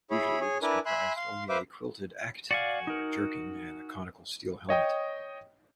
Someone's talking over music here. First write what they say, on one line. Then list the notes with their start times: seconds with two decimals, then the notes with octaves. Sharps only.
Usually this comprised only a quilted "aketon" or jerkin and a conical steel helmet.
0.11 E4 G#4 C#5 B5
0.41 G#4 C#5 G#5
0.62 D4 E4 A#4 B4 G#5
0.86 E5 G#5 B5 C6 F#6
1.17 F5 C6
1.49 B4 C5 E5 F5 D6
2.51 F#4 D5 F5 F#5 G#5
2.87 D#4 A#4
4.69 C#5 D#5 G5 D#6